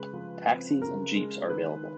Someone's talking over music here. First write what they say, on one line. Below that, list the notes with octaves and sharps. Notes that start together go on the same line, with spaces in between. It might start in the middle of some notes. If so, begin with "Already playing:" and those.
Taxis and jeeps are available.
Already playing: C#3 G#3 B4
F3
C4
C#3 A#4
G#3
D#3 B4